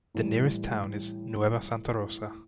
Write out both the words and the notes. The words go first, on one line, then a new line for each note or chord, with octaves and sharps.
The nearest town is Nueva Santa Rosa.
A2 E3 G3